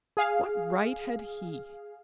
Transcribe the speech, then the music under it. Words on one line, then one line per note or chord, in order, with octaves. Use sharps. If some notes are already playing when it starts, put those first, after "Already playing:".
What right had he?
G#4 F5